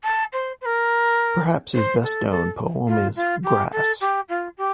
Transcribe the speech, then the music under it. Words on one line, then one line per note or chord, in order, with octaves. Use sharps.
Perhaps his best-known poem is "Grass".
A5
C5
C5
A#4
C5
A4
A4
F4
F4
G4
A4
G4
F4
G4